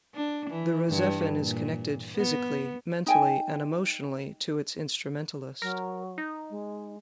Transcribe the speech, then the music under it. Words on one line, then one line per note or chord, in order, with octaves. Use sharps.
The RahXephon is connected physically, mentally, and emotionally to its instrumentalist.
D4
E3
G2
A#2
B3
D#4 G5 G#5
F#3 A#4
D#4
G#3